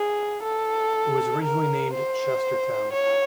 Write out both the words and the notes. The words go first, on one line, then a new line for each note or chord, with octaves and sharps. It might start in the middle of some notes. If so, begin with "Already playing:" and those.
It was originally named Chestertown.
Already playing: G#4
A4
A#4
C5
C#5